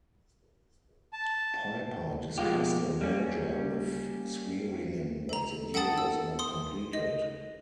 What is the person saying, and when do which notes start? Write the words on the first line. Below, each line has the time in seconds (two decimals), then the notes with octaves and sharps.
Piper discussed a merger with Swearingen but the deal was not completed.
1.13 A5
2.38 B2 F3 G#3 A#3 F4 G4
3.01 G3 A#3 C#4
5.29 A4 A#5
5.74 A4 F#5 G5 A5 D#6 A6
5.98 E6
6.39 C6 D#6
6.93 D#5